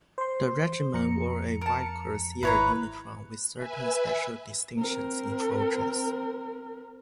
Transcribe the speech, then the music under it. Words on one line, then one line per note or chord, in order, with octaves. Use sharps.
The Regiment wore a white cuirassier uniform with certain special distinctions in full dress.
C5 C6
F2 A#5 C#7
A#4 A5
G#1 E4 B4 C#5 A#5
B4 E5 G#5
C4 A#4